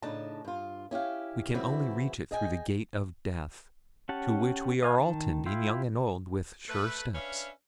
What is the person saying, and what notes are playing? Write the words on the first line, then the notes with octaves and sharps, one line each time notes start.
We can only reach it through the gate of death, to which we are all tending, young and old, with sure steps.'
A2 C#3 D4 D#4 A5
G2 F4
C#4 E4 G4 F5
C#3 E3 C4 E4 F#4
G#4 D#5 G5 G#5
C#4 G4 F#5 A5
D#5 F5 G#5
D#3 A5
E4 F4 G5 C6
A3 B4
C#4 D4 B4 C#5 E5 F5